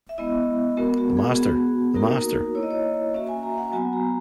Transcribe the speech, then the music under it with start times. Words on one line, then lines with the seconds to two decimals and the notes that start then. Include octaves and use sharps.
The Master, the Master!
0.09 E5
0.18 G#3 B3 E4 D#5
0.77 G#3 B3 F#4 A#4
0.98 F#4
1.17 G#4
1.36 B3 F#4 G#4
1.95 A#3 D#4 F#4 A#4
2.55 A#3 E4 C#5
2.63 D#5
2.71 C#5
3.14 A#3 C#4 F#4 E5
3.28 G#5
3.43 A#5
3.58 F#5
3.72 F#3 B3 F#4 G#5
3.93 A#5